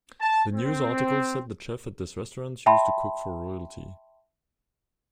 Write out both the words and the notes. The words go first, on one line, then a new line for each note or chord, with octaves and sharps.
The news article said the chef at this restaurant used to cook for royalty.
A5
C4
E5 G5 A5 B5 C6